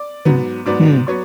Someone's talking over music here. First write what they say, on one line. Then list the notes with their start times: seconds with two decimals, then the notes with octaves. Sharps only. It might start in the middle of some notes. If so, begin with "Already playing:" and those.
Mm. Hmm.
Already playing: D5 D6
0.25 G#2 F#3 B3
0.66 G#2 F#3 B3 D5 D6
1.07 F#3 B3 C#5 C#6